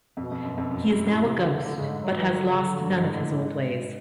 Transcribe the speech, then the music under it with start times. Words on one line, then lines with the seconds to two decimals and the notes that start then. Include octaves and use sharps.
He is now a ghost, but has lost none of his old ways.
0.17 F2 B2
0.31 F2
0.44 F#2
0.58 F2
0.71 F#2
0.88 F#2
1.06 A2
1.23 C3
1.37 D3
1.50 D3
1.63 D3
1.77 G#2 C#3
1.89 D3
2.03 F#3
2.16 E3
2.29 D#3
2.40 D3
2.52 C#3
2.64 D3
2.82 G2
2.95 G#2
3.08 A2
3.21 A2
3.34 G#2